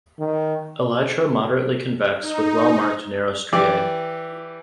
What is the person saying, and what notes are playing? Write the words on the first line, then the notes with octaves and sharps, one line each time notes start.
Elytra moderately convex with well marked narrow striae.
D#3
D#4
E3 G4 D5